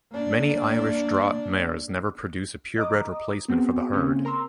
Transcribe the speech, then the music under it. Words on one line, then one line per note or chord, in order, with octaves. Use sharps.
Many Irish Draught mares never produce a purebred replacement for the herd.
A#3 D4
D#5 A#5 D6 D#6
B3 C4 F#4 G#4
C#3 A#3 C4 C#4
A#4 A#5 C6 E6